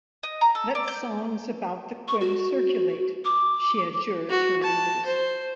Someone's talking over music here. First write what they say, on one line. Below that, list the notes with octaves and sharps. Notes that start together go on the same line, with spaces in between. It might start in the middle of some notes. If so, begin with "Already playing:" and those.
"Let songs about the quim circulate," she adjures her readers.
D#5
A#5
A4
D5
G6
C#6
F#4
D6
F#4
A5
C5